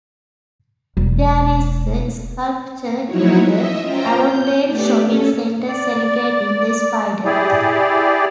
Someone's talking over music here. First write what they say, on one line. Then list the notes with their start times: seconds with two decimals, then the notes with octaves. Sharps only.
There is a sculpture in the Avondale shopping centre celebrating the spider.
0.97 E1
3.05 F3 F#3 D#4 E4 F#4 C#5
3.44 D#5 E5
3.79 C#4 F4 C5 G5 A#5
4.15 G6
4.68 A3 B3 D4 G4 D5
5.01 C#4 A4
5.68 D5
7.25 E4 G4 G#4 D5